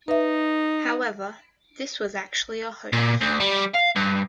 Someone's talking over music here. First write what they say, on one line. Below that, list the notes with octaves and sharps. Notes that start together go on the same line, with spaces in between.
However, this was actually a hoax.
D#4 B4 E5
A#2
D2
G3
F5
G2